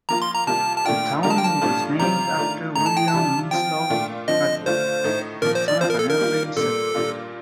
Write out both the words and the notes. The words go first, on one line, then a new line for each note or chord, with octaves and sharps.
The town was named after William Winslow Hathaway, son of an early settler.
F3 A#3 F4 A#5
C6
A#5
C3 G3 A#3 F4 A5
A5
A#2 A3 D4 F4 G5
D3 G3 A#3 F4 A#5
A5
G5
A5
A2 G3 D4 F4
C3 G3 C4 F4 A#5
D#3 A3 D4 F4
A2 A3 D#4 A#5
A5
G5
A5
C3 G3 D4 F4
F3 C4 F4 G5
A#2 A3 D4 F4
D3 F3 C4 D#5
D3 A3 D4 F4 C5
A2 A3 D#4
A#2 F3 A#3 A#4
C5
D5
F3 C4 F4 C5
A#4
A4
A#4
D#3 G3 A#3 D4 F4
A#2 G3 A#3 A4
A#2 G3 A#3 D4 F4